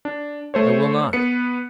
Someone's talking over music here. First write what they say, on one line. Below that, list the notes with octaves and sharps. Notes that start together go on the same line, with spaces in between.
"I will not."
D4
A3 C5 C#5
B3 B4 C#7